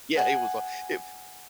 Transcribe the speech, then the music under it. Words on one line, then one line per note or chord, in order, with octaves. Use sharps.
Yeah, it was li it
G#4 F#5 G#5